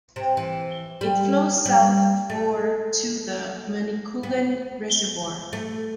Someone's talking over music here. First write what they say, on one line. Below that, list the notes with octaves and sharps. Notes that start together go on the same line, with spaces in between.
It flows south for to the Manicouagan Reservoir.
C3
E3
G3
G3
A3
B3
A3